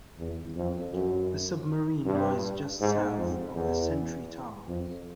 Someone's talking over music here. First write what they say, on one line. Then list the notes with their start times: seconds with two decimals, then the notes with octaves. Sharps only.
The submarine lies just south of the sentry tower.
0.18 E2
0.56 F2
0.93 F#2
2.06 G2
2.80 G#2
3.17 F2
3.56 E2
4.67 F2